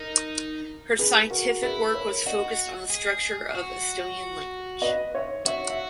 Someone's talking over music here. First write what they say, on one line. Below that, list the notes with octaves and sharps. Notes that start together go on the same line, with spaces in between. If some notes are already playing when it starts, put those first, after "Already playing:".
Her scientific work was focused on the structure of Estonian language.
Already playing: D#4 A#4
G#4 B4
F#4 A#4
E4 G#4 B4
A#4 C#5
F#4 D#5 F#5
G#4
F#4
B4 D#5
C#5 E5
F#4 C#5 E5
E5